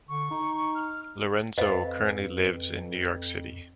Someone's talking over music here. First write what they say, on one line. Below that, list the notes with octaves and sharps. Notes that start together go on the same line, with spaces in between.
Lorenzo currently lives in New York City.
D3 C#6
D#4
F6
F2 B4 C5 D#5 F5 B5